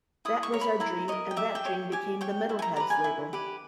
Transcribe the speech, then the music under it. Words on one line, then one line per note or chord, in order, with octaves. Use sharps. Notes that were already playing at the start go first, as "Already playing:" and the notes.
That was our dream and that dream became the Metalheadz label.
E4 D#6
C#6
A#4 C#5
B5
E4 A#5
A#4 C#5 D#5
G5
G4 E5
G5
C#5
G4 G#5
C#5 G5
E4
G#5
A#5
G4 B4 A#5
G#5
E4
G4 B4